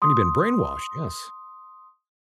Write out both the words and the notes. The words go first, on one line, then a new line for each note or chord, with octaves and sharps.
I mean you've been brainwashed, yes.
C6 D#6